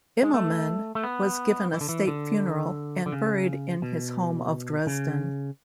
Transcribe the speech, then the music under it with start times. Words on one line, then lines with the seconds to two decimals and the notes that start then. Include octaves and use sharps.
Immelmann was given a state funeral and buried in his home of Dresden.
0.22 G#3
0.34 A3
0.95 A3
1.03 B3
1.73 E3
1.81 D3
1.89 E3
2.07 D3
3.06 D3
3.12 C#3
3.82 B2
4.87 C#3